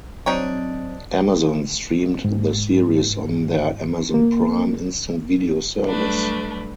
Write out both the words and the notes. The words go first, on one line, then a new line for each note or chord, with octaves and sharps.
Amazon streamed the series on their Amazon Prime Instant Video service.
F#3 C4 D4 D#4 C#5
G#2
A#3
F#3 G3 A3 D4 B4